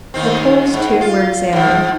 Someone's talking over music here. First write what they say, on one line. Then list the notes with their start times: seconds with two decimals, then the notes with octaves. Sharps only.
The Poles, too, were examined.
0.14 D#2 D#3 C4
0.73 G#2
1.01 F4
1.53 G#2 F3